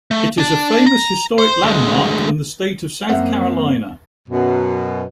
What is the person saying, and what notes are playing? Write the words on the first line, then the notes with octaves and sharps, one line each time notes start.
It is a famous historic landmark in the state of South Carolina.
A3
D4 A5
A#5
C5
D2 G#3
F#2 A#3 C4 A#4 C5 E5 F#5
F#2 B2